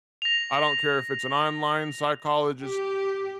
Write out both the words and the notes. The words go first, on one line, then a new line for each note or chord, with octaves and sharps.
I don't care if it's an online psychologist,
A#6 F7
G4